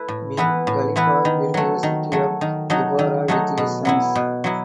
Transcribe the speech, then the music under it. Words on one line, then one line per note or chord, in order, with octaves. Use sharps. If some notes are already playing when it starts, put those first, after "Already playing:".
Bin Khalifa built the city of Zubarah with his sons.
Already playing: A3 E4 B4
A2
E3 B3 E4 B4
A2
E3 B3 E4 B4
D#3
F#3 A3
D#3
F#3 A3
D#3
F#3 A3 D#4
D#3
F#3 A3 D#4
B2
F#3 B3 E4
B2
F#3 B3 E4